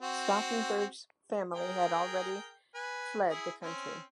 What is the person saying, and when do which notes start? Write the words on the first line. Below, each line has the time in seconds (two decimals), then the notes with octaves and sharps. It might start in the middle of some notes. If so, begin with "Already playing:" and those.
Stauffenberg's family had already fled the country.
0.01 C4 F#4
1.55 G#4 A#4 G5
2.75 B4 G#5
3.30 E4 G#4
3.63 C4 C#4